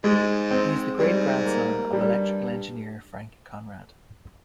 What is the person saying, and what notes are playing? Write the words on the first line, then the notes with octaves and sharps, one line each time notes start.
He is the great-grandson of electrical engineer Frank Conrad.
G#2 G#3
C4
G#2 G3
A#3
G2 G3